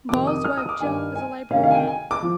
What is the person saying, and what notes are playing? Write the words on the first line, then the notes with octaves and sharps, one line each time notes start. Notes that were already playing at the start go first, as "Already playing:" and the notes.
Ball's wife Jill is a librarian.
F2 C3 D#3 D6
D#6
F6
D#6
D6
G2 D#3 G#5
G#5
D2 C3 D#3 F5
F5
G#5
G5
G#5
D6
F3